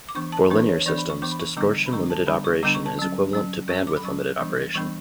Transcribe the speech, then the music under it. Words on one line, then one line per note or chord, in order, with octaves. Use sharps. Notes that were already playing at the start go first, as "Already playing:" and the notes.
For linear systems, distortion-limited operation is equivalent to bandwidth-limited operation.
D6
E3 B3 D4 C#6
A5
E3 B3 D4 B4
C#5
E3 B3 D4 D5
B5
C#6
E3 B3 D4 D6
B5
C#6
D3 G3 B3 D4 D6
B5
D3 G3 B3 D4 C#6
A5
D3 G3 B3 D4 B5
C#6
D3 G3 B3 D4 D6
C#6
A5
F#3 C#4
F#3 C#4
F#3 C#4 C#6
D6
B5
F#3 C#4 C#6
E3 G3 B3 D4
E3 G3 B3 D4 C#6